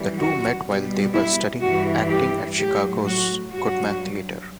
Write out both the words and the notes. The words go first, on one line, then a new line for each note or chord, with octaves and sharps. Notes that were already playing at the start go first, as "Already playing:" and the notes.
The two met while they were studying acting at Chicago's Goodman Theatre.
Already playing: F#2 E3 G3
F#4
B2 G3
E4
G2 E3 G3 F#4
G4
A2 F#3 G4
F#4
G2 F#3 F#4